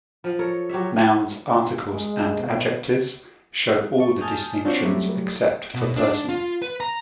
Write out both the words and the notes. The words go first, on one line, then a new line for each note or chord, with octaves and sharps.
Nouns, articles and adjectives show all the distinctions except for person.
F3
A4 A#4 C#5
F#3 G4 C#5 E5
G#3
B2
A5 C#6
G#5 A5 D#6 F6 G6
C4 D4 F4 F#4 C5 C#5
F#3 G3 A3 E4
B2
D4
F4
B4
A#5